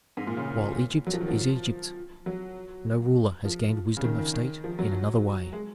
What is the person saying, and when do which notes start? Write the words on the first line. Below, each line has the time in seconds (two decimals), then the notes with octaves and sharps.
"While Egypt is Egypt, no ruler has gained wisdom of state in another way."
0.17 G#2
0.27 A#2
0.37 C#3
1.07 F#3
1.14 F3
1.21 D#3
1.28 F3
2.26 F#3
3.45 F3
3.97 C#3
4.04 D#3
4.19 D#3
4.34 D#3
4.64 F3
4.79 F#3
5.53 G#3